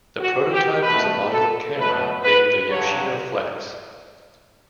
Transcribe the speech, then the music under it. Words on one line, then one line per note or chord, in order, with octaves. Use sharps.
The prototype was a modular camera named the "Yoshino Flex".
F#4
G4
B2 A3 B4
A4
B2 F#3 A3 B4
B4
G2 D3 F#3 C#5